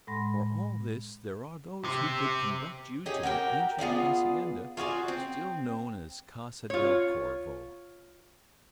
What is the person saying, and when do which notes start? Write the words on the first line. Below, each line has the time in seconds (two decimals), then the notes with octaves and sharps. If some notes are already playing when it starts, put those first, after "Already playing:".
For all this, there are those who could conduct you to an ancient hacienda--still known as Casa del Corvo.
0.07 A2 G#3 F#5 B5 C6 A#6
1.84 C3 C4
3.06 C#4 D#4 G4 G#4
3.23 F#4 G4 A#4 G5
3.79 B3 F4 G#4 D5
4.77 F4 F#4 G#4 D5
5.08 C4
6.70 F4 C#5